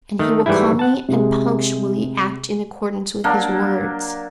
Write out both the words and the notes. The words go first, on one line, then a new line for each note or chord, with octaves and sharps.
And he will calmly and punctually act in accordance with his words.
D#3 A3
G#2 E3 G3 A3 E4
F#5 A5
C3 G#3
F#3 A#3 D4